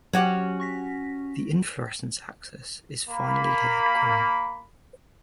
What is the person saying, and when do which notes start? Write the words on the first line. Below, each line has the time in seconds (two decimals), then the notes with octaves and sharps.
The inflorescence axis is finely haired gray.
0.13 F#3 C#4 F#4 G4
0.60 C#6 A#6 B6
3.09 A#3 B5